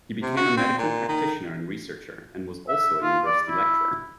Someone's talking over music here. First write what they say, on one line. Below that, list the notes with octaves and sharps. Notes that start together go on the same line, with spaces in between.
He became a medical practitioner and researcher, and was also a university lecturer.
C3
F#4
C4
A#2
D#3
E5
F4
D5
E4